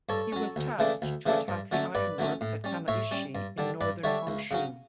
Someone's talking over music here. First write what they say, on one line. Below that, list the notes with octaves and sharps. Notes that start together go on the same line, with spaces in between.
He was tasked to attack the ironworks at Kamaishi in northern Honshu.
G2 A4 C#5
F#3 C#4
D2
C#3 E3 A3 D4
D2
C#3 E3 A3 D4
G2
D3 F#3 A3 C#4
G2 B4 D5
D3 F#3 A3 C#4
A2
G3 C#4
A2 C#5 E5
G3 C#4
G2
D3 G3 D4
G2 B4 D5
D3 G3 D4 C#5 E5
C#2
C#3 F#3 C#4